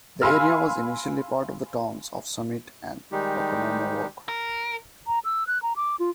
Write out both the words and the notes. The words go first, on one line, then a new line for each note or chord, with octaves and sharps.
The area was initially a part of the towns of Summit and Oconomowoc.
F5 G#5 B5 C6 E6 F6
D#3 G3 G#3 D#4 G4
A#4
A#5
E6
F#6
A#5
D6
F4